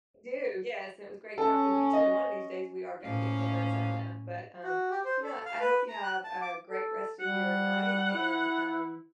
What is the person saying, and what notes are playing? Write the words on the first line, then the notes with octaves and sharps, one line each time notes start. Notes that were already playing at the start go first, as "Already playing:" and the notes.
do, yes and it was great talking to you, too, and one of these days, we are gonna get to Arizona but, um, you know? I hope you have a great rest of your night, and, um
C#4 A4
D#5
A2 F3 A#3 C#4 F5
F#4
G4
C5
A4
F5
B4
A#5
F#6
A5
D6
A4
G3 F#5
E4